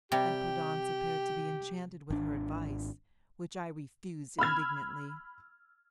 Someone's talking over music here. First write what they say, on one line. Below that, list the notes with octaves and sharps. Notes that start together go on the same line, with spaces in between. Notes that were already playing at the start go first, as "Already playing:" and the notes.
And Prudence appeared to be enchanted with her advice, which I refused indignantly.
C3 G3 G4
G#1 D4
B5 E6 F6 G#6